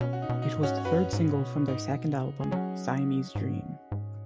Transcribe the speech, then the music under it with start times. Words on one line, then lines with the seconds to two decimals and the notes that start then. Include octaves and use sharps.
It was the third single from their second album, "Siamese Dream".
0.01 B2 C#4
0.13 F#4
0.22 D#4
0.29 B2
0.42 D#4
0.56 G#2
0.63 C#4 F#4
0.77 C#5
0.85 F#2 F#4 B4
1.13 G#2
1.40 B2
1.68 G#2 D#4
1.96 B2
2.23 C#3
2.41 G#4
2.51 F#3 C#4 F#4
3.35 G#2
3.92 G#2